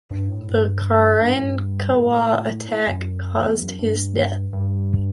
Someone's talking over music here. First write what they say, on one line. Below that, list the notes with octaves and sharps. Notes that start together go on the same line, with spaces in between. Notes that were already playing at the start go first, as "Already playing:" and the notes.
The Karankawa attack caused his death.
G2
A2
G2
G2
A2
G2
A2
A2
F#2
E2
F#2
G2
G2